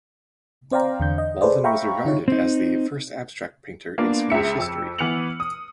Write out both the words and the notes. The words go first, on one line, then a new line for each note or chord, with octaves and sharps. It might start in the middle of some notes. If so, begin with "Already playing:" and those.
Walden was regarded as "the first abstract painter in Swedish history".
C4 C5 D5 F5 G5 A#5
E2 D3 G6
D#5
G#4 A4 B4 C5 D5
E5 F5 G5 A#5 B5 C#6
D3 D#4 F4 C#5
C4 D#4
A#3 B3 D4 F4
C#2 C#3 E5 C#7
F2 E6
E3 B3 F6 C#7 F7 F#7
D#6